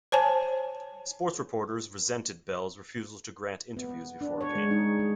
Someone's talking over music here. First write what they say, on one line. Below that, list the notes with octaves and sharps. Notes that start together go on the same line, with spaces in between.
Sports reporters resented Belle's refusal to grant interviews before a game.
C5 C#5 G#5 A5
B3
D4
C#5
G#3
D#4
G#3